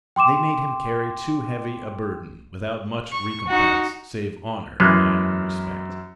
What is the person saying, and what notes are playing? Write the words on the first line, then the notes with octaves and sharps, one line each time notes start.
They made him carry too heavy a burden, without much recompense save honor and respect.
G5 C6 D6 E7
C#6
D#4 F#4
F#2 E3 G#3 A#3 B3